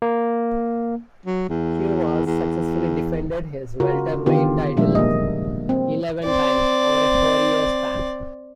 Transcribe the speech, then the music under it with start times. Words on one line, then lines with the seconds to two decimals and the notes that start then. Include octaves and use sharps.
Cuevas successfully defended his welterweight title eleven times over a four-year span.
0.02 A#3
1.26 F#3
1.49 E2
2.26 E2
3.80 C#3 F4 F#4 A#4
4.26 D3 D#3 B3 F4 G4
4.77 A#2 F3 G3 G#3 D4 E5
4.95 A#3 D#5
5.69 C4
6.25 C4 D5